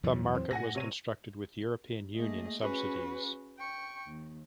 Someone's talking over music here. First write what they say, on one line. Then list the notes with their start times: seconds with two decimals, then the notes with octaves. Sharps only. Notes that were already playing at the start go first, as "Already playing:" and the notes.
The market was constructed with European Union subsidies.
0.03 E2 A2 F#3
0.35 C4
0.51 A2 F#5 G#5 A#6
0.75 C3 C#5 D#7
2.16 A3 A#3 G#4 D#5
2.59 C#4 F#4 G#4 B4
3.57 G5 C#6
4.06 D#2